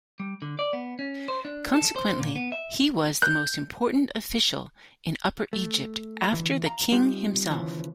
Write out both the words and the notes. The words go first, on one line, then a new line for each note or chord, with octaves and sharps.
Consequently, he was the most important official in Upper Egypt after the king himself.
G3
D3
D5
B3
C#4
C5
D4
A4
C5
A#2
B3
E5
F#6 G6
A3
D2 E3 E5
F5 A#5
G3 C4 D#4 F4 G4
D#2 C#3 E3 F3